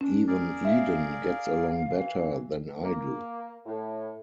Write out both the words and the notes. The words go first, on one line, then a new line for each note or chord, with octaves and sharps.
Even Eden gets along better than I do.
C#4 D4
G#4 A#4 D5
E5 F5
F5
E3
A#3
A2